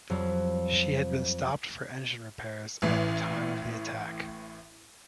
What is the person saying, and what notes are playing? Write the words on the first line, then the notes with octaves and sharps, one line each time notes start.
She had been stopped for engine repairs at the time of the attack.
F2 F#3 G3
A1 A2 E3